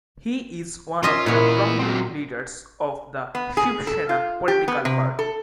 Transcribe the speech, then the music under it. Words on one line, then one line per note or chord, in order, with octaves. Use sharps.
He is one of the prominent leaders of the Shiv Sena political party.
C#4 F4 D#5 E5 C6
A#2 E3 B3 C#5
F#3 C4
B3
G#4
A4
F4
G4
B3
C3
A4